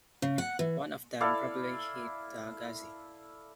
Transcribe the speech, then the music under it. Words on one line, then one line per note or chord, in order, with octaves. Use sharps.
One of them probably hit the "Ghazi".
C#3
F#5
E3
E4 A4 D5 F5